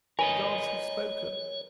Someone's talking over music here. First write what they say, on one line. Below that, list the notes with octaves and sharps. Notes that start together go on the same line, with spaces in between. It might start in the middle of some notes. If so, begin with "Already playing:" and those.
The gods have spoken.
A#4 B4 C#5 D#5 G#5